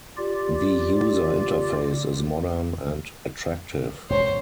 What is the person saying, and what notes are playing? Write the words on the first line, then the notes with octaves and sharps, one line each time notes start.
The user interface is modern and attractive.
F4 G4 D5
E1 C#2 F#2 C5 C#5